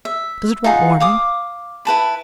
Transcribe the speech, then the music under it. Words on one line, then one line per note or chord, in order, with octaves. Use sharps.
Does it want warming?
E5
D#4 F4 G#4 F#5
F5 D6 D#6
E4 B4 A5 B5